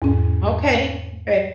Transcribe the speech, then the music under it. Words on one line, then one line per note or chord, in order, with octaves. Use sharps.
Okay, okay.
E2 G#2 C#4